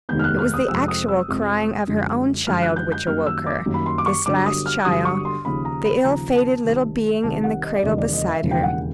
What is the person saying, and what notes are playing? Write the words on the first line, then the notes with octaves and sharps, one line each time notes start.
It was the actual crying of her own child which awoke her--this last child--the ill-fated little being in the cradle beside her.
F1 D#2 D#3 G#3 B3 G6
F6
F#6
F6
D#6
F2 C3 F3 G#3 C4 E6
D#6
E6
F2 C3 F3 G#3 C4
F#2 D3 F3 G#3
F#2 D3 F3 G#3 F6
F#6
G6
G6
F#2 D#3 G3 A#3 F6
E6
D6
F#2 D#3 G3 A#3
B5
C6
D6
C#6
G1 G2 D3 F#3 D6
D#6
F6
G1 G2 D3 F#3 D#6
C#6
C6
D#2 C#3 F3 B5
A#5
B5
D#2 C#3 F3 A#5
A5
C2 C3 D#3
C2 C3 D#3 A5
F#5
D#5
D5
E1 D#2 C#3 E3 D#5
D5
D#5
E5
E1 D#2 C#3 E3
G5
F#5